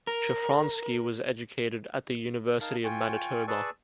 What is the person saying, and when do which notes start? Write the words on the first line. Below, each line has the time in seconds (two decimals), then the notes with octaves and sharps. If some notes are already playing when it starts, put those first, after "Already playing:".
Shafransky was educated at the University of Manitoba.
0.07 A#4
2.61 D#4 A#4 F5 A5
2.84 F4 G5 G#5 C#6
3.48 G#4 B4 D5 A5 C#6 E6